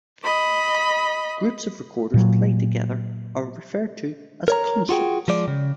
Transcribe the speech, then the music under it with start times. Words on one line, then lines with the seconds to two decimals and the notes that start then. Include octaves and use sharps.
Groups of recorders played together are referred to as consorts.
0.24 D#5 B5
2.14 A#2 F#3
4.48 A#4 C#5 A#5
4.89 F4 F#4 G#4 G5
5.28 F3 G#3 D5
5.48 C#3